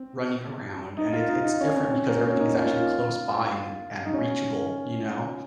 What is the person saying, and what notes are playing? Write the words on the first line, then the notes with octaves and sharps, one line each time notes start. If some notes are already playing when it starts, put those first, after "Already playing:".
running around. And it it's different because everything is actually close by, an and reachable, you know?
Already playing: C4
D#4
F4
D#4
D#4
C#4
C4
C4
A#3
C#4
D#4
F4
F4
D#4
C#4